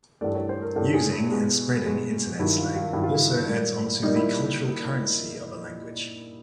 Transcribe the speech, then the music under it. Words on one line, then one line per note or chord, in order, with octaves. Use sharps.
Using and spreading Internet slang also adds onto the cultural currency of a language.
G2 E3 A3 D5
C#5
C5
A#4
G2 E3 A3 A4
G#4
E4
B2 G#3
B2 G#3
G2 D#3 F#3 E4
F4
F4
G2 D#3 F#3 E4
F4
E4
A#2 G3 A#3
A#2 G3 A#3 D#4
E4